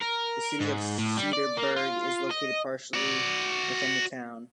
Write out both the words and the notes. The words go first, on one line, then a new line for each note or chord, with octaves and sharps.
The City of Cedarburg is located partially within the town.
A#4
G#2
A2
G3
D5
A#3
F4
D#5
F#4 D5